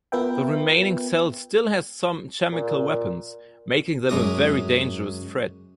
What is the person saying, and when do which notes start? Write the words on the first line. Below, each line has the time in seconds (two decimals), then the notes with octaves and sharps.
The remaining cell still has some chemical weapons, making them a very dangerous threat.
0.12 B3 F4 A#4 B4 E5 G5
2.51 A#2
4.09 F#2 G#3 A#5 D6 D#6